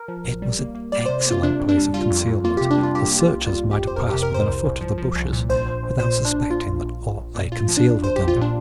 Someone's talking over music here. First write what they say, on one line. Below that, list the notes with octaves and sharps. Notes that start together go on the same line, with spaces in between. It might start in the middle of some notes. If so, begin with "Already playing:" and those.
It was an excellent place of concealment, as searchers might have passed within a foot of the bushes without suspecting that aught lay concealed within them.
Already playing: A#4
F3
A#1
G3
A#3
A#3
G3 D5
C3 C5
A#3 F4
C3 D4
F2
D4
G3
G3 F4
F2
F2
A#3 F4
C3 G4
D4
G3
F4
A#3 G4
A#3
F4
C2
G3 F4
F2
G4
G1
C5
F2 A#4
C3 G4
A#4
F2 C5
C2
C2
F3
F3
C2
A#2
A#1 C5
A#1
A#1
A#2 C5
A#1
D4
A#1
A#2 F4
A#1
A#1
A#1
A#1
A#2
A#1 F4
F3
D4
A#1
A#1 C5
A#1 G4
F4
A#2
D4